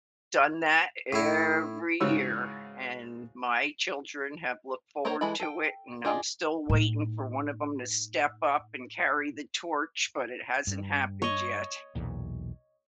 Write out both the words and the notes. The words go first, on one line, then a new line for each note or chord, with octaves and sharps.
done that every year, and my children have looked forward to it, and I'm still waiting for one of 'em to step up and carry the torch, but it hasn't happened yet.
A2 E4
G#2 C#3 E3 F#4 C#5 E6
A#3 A#4 C5 C#5 A#5
E3 G#3 E4 A4 B5
A4 G5
D4 F4 G#4 D#5 G5
A2 D#4
G2
C#5 D#5
B1 E2 A#2